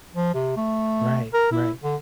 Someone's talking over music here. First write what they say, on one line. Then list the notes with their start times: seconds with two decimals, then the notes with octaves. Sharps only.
Right, right.
0.15 F3
0.34 C3
0.57 A3
1.34 A#4
1.52 E4
1.83 D3